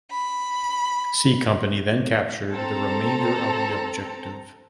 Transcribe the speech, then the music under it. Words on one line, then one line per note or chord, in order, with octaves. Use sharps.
C Company then captured the remainder of the objective.
B5
C4 A4 A#5